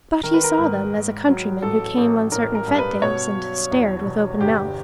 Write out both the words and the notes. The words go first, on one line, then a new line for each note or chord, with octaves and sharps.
But he saw them as a countryman who came on certain fete-days, and stared with open mouth.
D#3 A#4
B4
A#4
G#2
G#2
F#3
A1 A4
A1
A1 A#4
A#4
G2
B4
B2 C#5
F#3
E2
E1
G1 G4